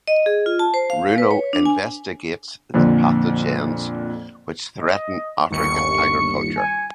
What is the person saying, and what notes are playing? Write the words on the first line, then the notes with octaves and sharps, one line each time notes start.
Runo investigates the pathogens which threaten African agriculture.
D#5
G#4
F4
A5
C5
F5
B4
C#5
D4
G#5
F2 A#2 D3
D#5
G1 D#2 C#6 C#7
G#5